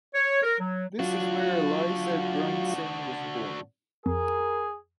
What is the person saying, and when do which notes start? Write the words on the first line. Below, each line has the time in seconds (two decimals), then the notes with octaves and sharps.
This is where Elisa Griensen was born.
0.14 C#5
0.43 A#4
0.60 F#3
1.00 F#3 D4 F4 F#4
4.06 F2 G#4 A#4